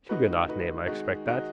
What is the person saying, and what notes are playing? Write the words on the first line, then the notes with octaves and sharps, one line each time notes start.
Huguenot name I expect that.
D#3 A3 D#4 F#4 B4
D#3 A3 D#4 F#4 B4
D#3 G#3 D#4 F#4
D#3 G#3 D#4 F#4